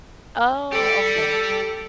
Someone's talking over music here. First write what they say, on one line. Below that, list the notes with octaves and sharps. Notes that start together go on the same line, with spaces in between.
Oh, okay.
G4 A4 D5